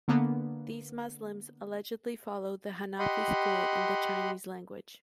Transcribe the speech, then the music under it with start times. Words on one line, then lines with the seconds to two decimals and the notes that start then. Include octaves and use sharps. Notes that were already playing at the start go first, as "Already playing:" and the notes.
These Muslims allegedly followed the Hanafi school in the Chinese language.
0.08 D3 A#3 B3
2.99 G4 D#5 F#5 B5 C6